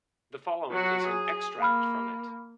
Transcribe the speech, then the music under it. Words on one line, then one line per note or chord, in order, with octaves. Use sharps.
The following is an extract from it.
F#3 F#4
G#4
A#3 F5 B5 F6